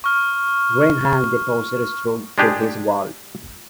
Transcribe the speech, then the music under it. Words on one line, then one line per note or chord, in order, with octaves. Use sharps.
Grant had the poster stuck to his wall.
C#6 F6
G#3 D4 G4 G#4